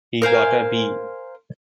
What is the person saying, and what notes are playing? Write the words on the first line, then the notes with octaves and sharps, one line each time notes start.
He got a B.
A#4 C5 F5 G#5